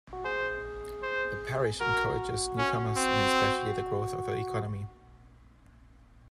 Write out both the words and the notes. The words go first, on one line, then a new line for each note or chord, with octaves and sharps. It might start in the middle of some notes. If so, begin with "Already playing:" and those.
The parish encourages newcomers and especially the growth of the economy.
F#4
G#4 C5
C5
F#4 A#4
C#4
C4